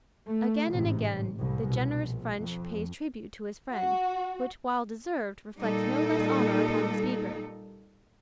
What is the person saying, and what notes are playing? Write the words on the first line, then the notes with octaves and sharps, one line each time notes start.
Again and again, the generous French pays tribute to his friend, which while deserved reflects no less honor upon the speaker.
A3
A1 G#2 C3
C2 A2
B2
A#1
F2
F#4
A#2 G3 D#4 A4